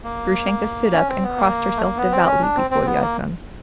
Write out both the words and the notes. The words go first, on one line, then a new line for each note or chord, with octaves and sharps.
Grushenka stood up and crossed herself devoutly before the ikon.
A#3
C#4
C4
B3
A#3
A3
A#3
B3
C4
C#4
D4
C4
C4
B3
A#3